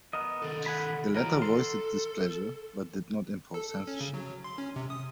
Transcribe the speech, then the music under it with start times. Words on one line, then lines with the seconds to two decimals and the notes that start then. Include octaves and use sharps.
The latter voiced its displeasure, but did not impose censorship.
0.13 B3 A#4 D#5
0.42 D#3 A4
0.66 F#5 G#5 B5
1.15 E3 F#4 A#4 C#5 D#5
1.42 A4 C6
3.54 A4
3.87 C#4
4.01 C#3
4.14 F#3
4.44 C6
4.58 C#4
4.76 C3
4.90 D#6